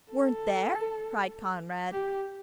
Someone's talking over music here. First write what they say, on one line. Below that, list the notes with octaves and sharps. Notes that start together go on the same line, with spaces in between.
"Weren't there?" cried Conrad.
A4
G4